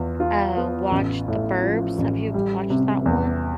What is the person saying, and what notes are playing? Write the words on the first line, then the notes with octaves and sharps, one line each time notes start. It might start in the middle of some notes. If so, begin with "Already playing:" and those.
uh, watched The Burbs. Have you watched that one?
Already playing: E2 F4
F4
B3
A1
A2
F3
A1
G3
C3
E2